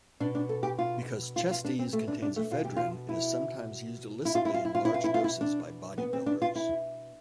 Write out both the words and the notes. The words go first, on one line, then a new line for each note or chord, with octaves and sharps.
Because ChestEze contains ephedrine, it is sometimes used illicitly in large doses by bodybuilders.
B2 D4
D4
A4
G4
F4
F4
F4
D4
C4
A3
D4
D4
A3
B2 F4
G4
F4
E4
E4
F4
E4
F4
E4
F4
B2 E4
F4
E4
F4
E4
D4
B3
C4
D4
F4
E4